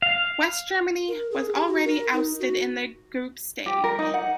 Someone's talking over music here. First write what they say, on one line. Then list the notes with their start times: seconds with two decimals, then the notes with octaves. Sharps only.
West Germany was already ousted in the group stage.
0.02 F5
1.08 A#4
1.31 G#4
1.55 G4
1.67 F#4
1.85 A#4
2.13 D#4
2.39 F#4
3.66 G4
3.84 A#4
3.99 D#4
4.14 F#5